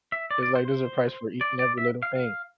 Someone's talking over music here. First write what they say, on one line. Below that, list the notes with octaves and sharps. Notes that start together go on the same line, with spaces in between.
It's like there's a price for each and every little thing.
E5
D5
D5
C5
C5
D5
D5
E5
F5
F5